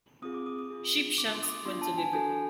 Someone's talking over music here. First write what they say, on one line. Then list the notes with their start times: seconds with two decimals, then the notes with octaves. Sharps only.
Sheepshanks went to live with him.
0.22 C4 F4 G#4 D#6
0.34 D6
0.46 D#6
0.59 D#6
0.70 C4 F4 G#4
1.18 B3 D4 F4 D6
1.35 C6
1.43 D#6
1.50 D6
1.66 B3 D4 F4 C6
1.82 A5
1.98 G#5
2.13 D4 F#4 A4 G#5